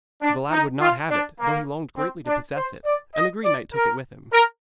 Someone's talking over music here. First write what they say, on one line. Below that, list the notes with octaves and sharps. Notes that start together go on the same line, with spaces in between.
But the lad would not have it, though he longed greatly to possess it, and the green knight took it with him.
D4
D#4
F4
D4
A#3
C4
D4
C5
D5
D#5
D5
A#4
A#4